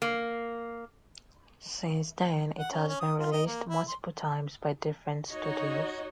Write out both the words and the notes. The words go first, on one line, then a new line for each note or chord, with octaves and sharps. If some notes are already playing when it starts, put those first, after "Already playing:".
Since then it has been released multiple times by different studios.
A#3
F#5
C#4
C#4
D#6
F4
D#5
A#3
E4
C6
D#4 F#4 C#5 D#5